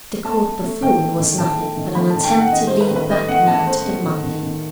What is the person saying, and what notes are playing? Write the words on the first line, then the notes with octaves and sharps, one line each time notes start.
The Court buffoon was nothing but an attempt to lead back man to the monkey.
A3 A5
A3
A3
D#3 G5
A3
D#3
D#3 A5
A3
D#3
A3 B5
A5
D#3
G5
A3
F#5
D#3 D#5
A3 C5
B4
D#3
B4
A3 D#5
A3 F#5
A3 A5
A3 C5
A3
D#3
D#3
D#3